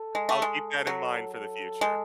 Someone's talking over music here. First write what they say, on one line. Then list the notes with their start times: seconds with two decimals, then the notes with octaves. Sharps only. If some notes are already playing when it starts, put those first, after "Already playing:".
I'll keep that in mind for the future.
Already playing: A4
0.15 G#3
0.29 A3
0.42 G#3
0.87 F#3
1.34 A4
1.81 G#3